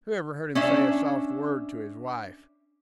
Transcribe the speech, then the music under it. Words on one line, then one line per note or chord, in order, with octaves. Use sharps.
Who ever heard him say a soft word to his wife?
C#4 D4 E5